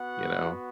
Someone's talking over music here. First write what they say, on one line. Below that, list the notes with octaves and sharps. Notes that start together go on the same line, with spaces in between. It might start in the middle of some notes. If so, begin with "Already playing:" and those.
You know,
Already playing: B3 F#4 F#5